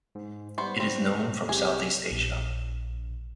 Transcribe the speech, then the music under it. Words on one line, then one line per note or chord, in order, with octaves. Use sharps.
It is known from southeast Asia.
G#2
G3 B3 C5 C#6
C4
C2 C3 G4 G#4
A#1